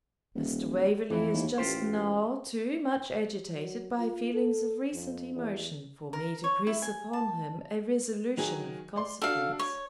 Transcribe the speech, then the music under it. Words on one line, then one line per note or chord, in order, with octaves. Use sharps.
Mr. Waverley is just now too much agitated by feelings of recent emotion for me to press upon him a resolution of consequence.'
D#1
F2 E3 E4
D#2
A1 F4 G4 C5
F#3
F4
A4
F2
E2
A#4
C#5
E4
G#5
A5
D#3 F#3 G#4
D5 C6
D4 F#4 A4 F5
C#5